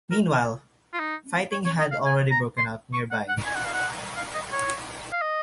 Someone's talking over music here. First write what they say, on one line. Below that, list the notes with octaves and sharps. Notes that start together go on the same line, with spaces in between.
Meanwhile, fighting had already broken out nearby.
A#4
F4
D#4
C#5
C#5
D#5
F5
G#5
A#5
C6
C#6
F#5
F#5
G#5
F#5
F5
F#5
F5
D#5
C#5
F5
D#5